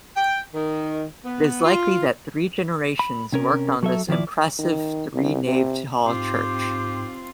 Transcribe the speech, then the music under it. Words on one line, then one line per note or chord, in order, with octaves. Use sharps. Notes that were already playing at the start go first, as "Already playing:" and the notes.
It is likely that three generations worked on this impressive three-naved hall church.
G5
D#3
B3
F4
B5
C3 C#4 A#4
F#3 A4 E5
D#3 F3 E4 D5
D#3
C2
C3
G#2 C4 F4 G4